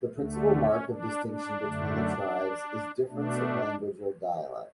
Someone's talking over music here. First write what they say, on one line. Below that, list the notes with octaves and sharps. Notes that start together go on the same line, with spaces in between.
The principal mark of distinction between the tribes is difference of language or dialect.
D2 D3 A3
C#4
D4
D4
F#2 D3 A3
B2 A3 D4